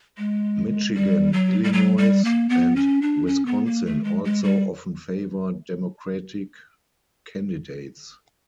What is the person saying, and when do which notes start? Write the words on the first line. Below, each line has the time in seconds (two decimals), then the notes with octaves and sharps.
Michigan, Illinois, and Wisconsin also often favor Democratic candidates.
0.18 G#3
0.95 G3
1.33 F#3
1.64 G3
1.73 F#3
1.98 G3
2.25 A#3
2.49 B3
2.76 C#4
3.02 D4
3.27 C#4
3.46 B3
3.66 A#3
3.86 A3
4.04 G#3
4.25 G#3
4.43 G3